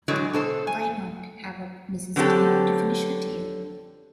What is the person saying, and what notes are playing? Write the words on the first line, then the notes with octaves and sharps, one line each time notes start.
Why not have up Mrs. Dean to finish her tale?
A2 D3 E3 F#3 G#3
B2 A4 C5
G#5
D3 F#3 B3 C4 G4 A4